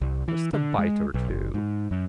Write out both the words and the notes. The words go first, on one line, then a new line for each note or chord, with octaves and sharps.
Just a bite or two.
C2
E3
D3
G#3
B1
F#1
G#2
F#2